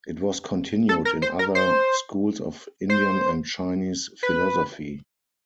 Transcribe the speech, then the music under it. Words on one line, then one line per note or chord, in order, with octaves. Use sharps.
It was continued in other schools of Indian and Chinese philosophy.
A4
A#4
C5
A#4
C5
C5
B4